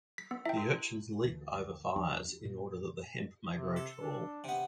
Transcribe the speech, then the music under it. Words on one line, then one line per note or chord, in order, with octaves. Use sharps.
The urchins leap over fires in order that the hemp may grow tall.
B6
B3
E4 E5 G5
F#4 A#4
D2 E3
E2 F3 B3 D4
A#2
C3
A4
D4
C3 B3